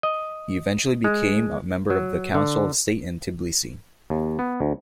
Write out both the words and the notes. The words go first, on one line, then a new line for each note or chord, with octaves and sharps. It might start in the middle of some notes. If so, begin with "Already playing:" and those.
He eventually became a member of the Council of State in Tiblisi.
D#5
G#3
F#3
D3
D#2
B3
D2